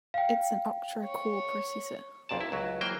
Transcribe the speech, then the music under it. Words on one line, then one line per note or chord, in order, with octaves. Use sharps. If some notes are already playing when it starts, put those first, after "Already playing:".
It's an octa-core processor.
F5 G5
C#5
B1 F2 A#2 D5 A5
E4
C#2 F#3
E3 F#3 A#3 C5 G5